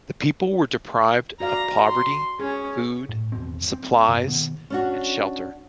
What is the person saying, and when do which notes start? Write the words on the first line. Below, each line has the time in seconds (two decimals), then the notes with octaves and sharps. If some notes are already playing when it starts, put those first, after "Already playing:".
The people were deprived of property, food, supplies and shelter.
1.40 F#4 D5 F5 A#5
1.88 C6
2.40 C#4 G#4 C#5
3.09 A2
3.32 G#1 E2 B2 C4
3.72 C4
4.09 G2 C3 A#3 B3
4.27 B2 D#3 B3
4.70 C#4 D4 F#4